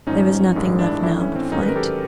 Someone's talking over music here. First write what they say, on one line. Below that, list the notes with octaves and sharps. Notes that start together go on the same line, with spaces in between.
There was nothing left now but flight.
G#1 G#2 F3 C#4 D#4
A1 G2 D#3 G#3
D4 E4
A1 A2 E3 A3 D4 E4
C#4
C4
G#2 D#3 F#3 C#4 D#4
B4
A#4
G4 A4